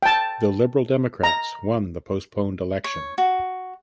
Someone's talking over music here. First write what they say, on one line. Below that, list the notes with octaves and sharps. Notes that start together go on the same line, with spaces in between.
The Liberal Democrats won the postponed election.
G5 A5
A#5
C#5
F#4